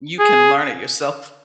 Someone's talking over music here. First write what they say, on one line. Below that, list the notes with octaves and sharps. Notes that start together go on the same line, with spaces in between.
you can learn it yourself.
G#4